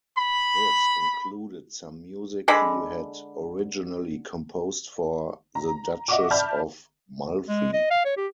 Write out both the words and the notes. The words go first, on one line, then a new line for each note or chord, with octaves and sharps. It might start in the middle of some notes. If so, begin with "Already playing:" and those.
This included some music he had originally composed for "The Duchess of Malfi".
B5
D3 G#3 B5
A#5
D#5 E5 F#5 C#6 D6
D5 E5 A5 B5 F6 G6
G#3
D#5
F5
C#5
G4